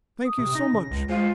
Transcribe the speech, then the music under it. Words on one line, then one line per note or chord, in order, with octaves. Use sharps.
Thank you so much.
D#6
C3
D#4 A#6
C#3
C#2
G#3 F4 C5